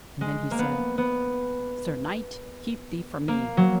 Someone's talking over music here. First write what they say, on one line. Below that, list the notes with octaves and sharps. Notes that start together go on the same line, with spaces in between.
And then he said: Sir knight, keep thee from me.
G#3
A#3
B3
B3
A#3
F#3